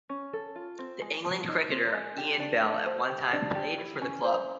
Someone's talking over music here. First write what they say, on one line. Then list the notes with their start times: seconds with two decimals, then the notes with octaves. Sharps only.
The England cricketer Ian Bell at one time played for the club.
0.09 C#4
0.33 A4
0.56 F4
0.79 C4
1.01 G#3
1.24 F3
1.48 D#4
1.71 C4
1.94 G#3
2.18 G4
2.40 D4
2.63 A3
2.86 C5
3.09 G4
3.33 D4
3.55 G4
3.78 E4
4.02 C#4
4.24 C5